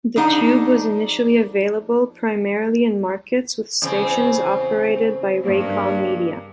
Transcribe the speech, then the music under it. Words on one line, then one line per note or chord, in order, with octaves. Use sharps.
The Tube was initially available primarily in markets with stations operated by Raycom Media.
F2 D4 D#4 G#4 F#5
E2 C#3 C4
G2 A#3